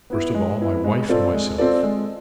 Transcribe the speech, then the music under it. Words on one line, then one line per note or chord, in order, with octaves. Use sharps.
First of all my wife and myself.
B3 E4
G#3
B3 E4
G#3
C4 F4 A4 D5
G#3
C4 F4 A4 D5
G#3